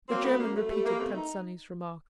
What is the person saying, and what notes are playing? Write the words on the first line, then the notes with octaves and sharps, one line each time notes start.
The German repeated Tant Sannie's remark.
F#3 A#3 C4
F#3 A3 B3
F#2 A#3
F#2 A3
G3 A3
G3 A#3
C3 A3 B3
D#4